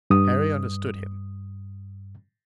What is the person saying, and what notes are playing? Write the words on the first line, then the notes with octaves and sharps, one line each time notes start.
Harry understood him.
G2 D#6